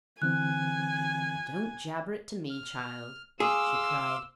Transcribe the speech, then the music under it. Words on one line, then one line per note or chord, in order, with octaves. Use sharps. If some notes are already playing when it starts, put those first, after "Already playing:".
'Don't jabber it to me, child,' she cried.
D3 E3 C4 G#5 F#6
F6
G#4 F5 C6 D6 E6